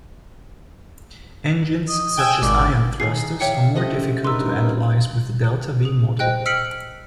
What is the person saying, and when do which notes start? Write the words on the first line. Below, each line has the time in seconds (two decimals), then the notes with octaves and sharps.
Engines such as ion thrusters are more difficult to analyze with the delta-"v" model.
1.89 D#5
2.17 G5 G#5 E6
2.42 G#1 D5
3.00 D#3 G#4 C7
3.40 C#5 D5 E5 F5 G5 C#7
3.75 A3 C#4 G4 C5 D#5 E5 F#5
4.24 G2 D#4 A#4 B4 C6 E6
5.85 G#4
6.19 C5 D#5 G5 F#6
6.46 E6 F6 B6 C#7 D7 F#7